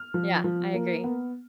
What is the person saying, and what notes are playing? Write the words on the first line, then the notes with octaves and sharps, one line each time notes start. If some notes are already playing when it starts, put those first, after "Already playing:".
Yeah, I agree.
Already playing: F6
F3
F3
A#3
B3